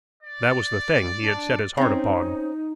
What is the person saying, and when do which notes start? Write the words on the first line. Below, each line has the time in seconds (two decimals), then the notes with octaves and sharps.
That was the thing he had set his heart upon.
0.22 D5
1.21 D4
1.77 C4 C#4 D#4